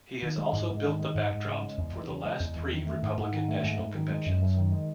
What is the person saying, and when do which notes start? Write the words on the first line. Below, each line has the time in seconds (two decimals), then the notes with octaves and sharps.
He has also built the backdrops for the last three Republican National Conventions.
0.22 D#3
0.38 G#3
0.53 G#2
0.69 G#2
0.84 D#3
0.99 G#3
1.15 G#2
1.30 G#2
1.46 C#3
1.62 G#3
1.77 E2
1.93 E2
2.08 C#3
2.25 G#3
2.39 E2
2.56 E2
2.71 D#3
2.86 A3
3.02 G#2
3.17 G#2
3.33 D#3
3.48 A3
3.63 G#2
3.79 G#2
3.94 D#3
4.10 G#3
4.26 F#2
4.41 F#2
4.57 D#3
4.72 G#3